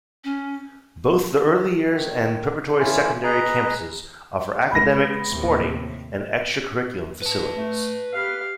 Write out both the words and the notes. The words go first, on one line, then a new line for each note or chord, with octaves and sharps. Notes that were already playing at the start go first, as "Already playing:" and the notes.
Both the Early Years and preparatory-secondary campuses offer academic, sporting and extra curriculum facilities.
C#4
D#3
A2 D3 E3 C#4 E4 F4
G#4 B4 D#5 A#5
G#3 B3 B5 A#6
D#2 A2 C3
B4 A5
A3
G4 B4 F5